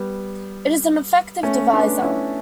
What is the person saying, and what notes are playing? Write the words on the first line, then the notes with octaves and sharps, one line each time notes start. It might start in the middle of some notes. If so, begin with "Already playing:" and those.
It is an effective divisor.
Already playing: G3 B3
A3 C#4
B3 D4
C#4 E4